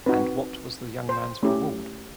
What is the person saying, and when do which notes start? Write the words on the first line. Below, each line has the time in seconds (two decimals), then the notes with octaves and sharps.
And what was the young man’s reward?
0.06 C4 D#4 F#4 B4
1.09 C5
1.43 A3 C#4 E4 G4